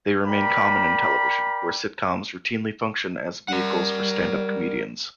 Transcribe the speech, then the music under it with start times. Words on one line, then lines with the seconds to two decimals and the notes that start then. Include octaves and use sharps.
They remain common in television, where sitcoms routinely function as vehicles for stand-up comedians.
0.25 A#4 D5 G5 A#5 B5
3.48 G3 A#4 F#5